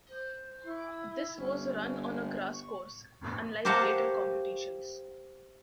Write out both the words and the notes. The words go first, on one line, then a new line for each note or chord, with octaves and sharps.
This was run on a grass course, unlike later competitions.
C5
E4
G1 C#4
C#6
G4 A#4 C5 F5 F#5 A5